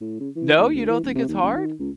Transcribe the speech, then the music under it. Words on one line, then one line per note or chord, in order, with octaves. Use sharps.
No, you don't think it's hard?
A2
C#3
E3
D#2
D2
E3
D#1
C3
D#2
F#1
D#3
C#2